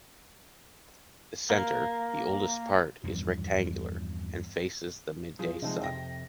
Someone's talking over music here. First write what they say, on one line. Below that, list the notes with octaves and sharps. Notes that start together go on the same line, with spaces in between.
The center, the oldest part, is rectangular and faces the midday sun.
A#3
E2 G2 B2 F3
F3 G#4
C3 F3 G#3 C4 D#4
F2 C3 G5 A#6